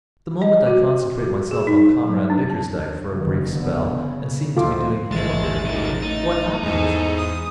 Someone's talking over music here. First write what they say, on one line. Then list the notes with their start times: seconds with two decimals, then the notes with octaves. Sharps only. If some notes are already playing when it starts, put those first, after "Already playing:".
The moment I concentrate myself on Comrade Bickersdyke for a brief spell, and seem to be doing him a bit of good, what happens?
0.42 D#5
0.67 F#4
1.18 F#4
1.51 G#4
1.67 D#4
2.05 F#3
2.30 D4
2.50 A5
3.11 F#1 D#3
3.56 D3 B3
3.94 C#3
4.57 D2 D#3 F3 F4 A4 D6
5.11 A1 G#2 D#3 G#3 A3 A6
5.65 F3 D#4
6.02 A3 D#4
6.62 E2 G#2 G#4 A4
7.16 D#6